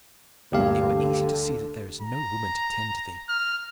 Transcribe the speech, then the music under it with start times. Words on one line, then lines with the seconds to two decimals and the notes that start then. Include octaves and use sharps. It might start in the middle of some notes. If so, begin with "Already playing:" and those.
It were easy to see that there is no woman to tend to thee.
0.52 D2 G2 A#2 G4 F5
0.94 D3
2.01 A#5
3.29 F6